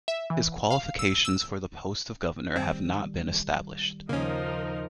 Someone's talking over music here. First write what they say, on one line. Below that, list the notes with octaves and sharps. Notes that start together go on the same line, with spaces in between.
His qualifications for the post of Governor have not been established.
E5
E3
F5
E6
E6
D#3 G3 C4
D#2 C#3 F3 A#3 C#4 D#4 A#4